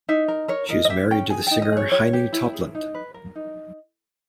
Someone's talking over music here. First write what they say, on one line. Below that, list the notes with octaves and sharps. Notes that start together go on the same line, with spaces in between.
She is married to the singer Heine Totland.
D#4 E5
A#4
A#4 C#5
A#4 D#5
D#5
G4 E5
C#4 G5
G#4 G#5
D#4 G5
D#5
G#4 C#5
G4 C#5
G4
E4
G#4
D#4
B4
A#4
D#4